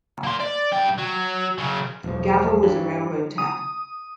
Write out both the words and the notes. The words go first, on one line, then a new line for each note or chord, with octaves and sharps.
Galva was a railroad town.
A#3 C6
D5
G2 G5
F#3
C#3 F#3
E1 B1 F3
G2 G3
D#6